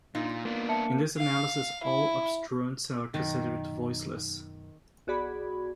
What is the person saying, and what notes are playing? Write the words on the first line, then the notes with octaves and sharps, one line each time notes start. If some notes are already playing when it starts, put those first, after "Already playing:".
In this analysis, all obstruents are considered voiceless.
A#2 D#4 F4
A#3 B3 D4
E5 A5 C#7
F5
E4
F#2 B2 D#3
B1 F#4 G#4 D5 B5 G#6